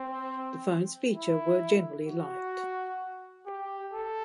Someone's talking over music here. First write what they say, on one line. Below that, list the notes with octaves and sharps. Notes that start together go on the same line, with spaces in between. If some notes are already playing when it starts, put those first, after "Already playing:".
The phones features were generally liked.
Already playing: C4
E4
F#4
G4
A4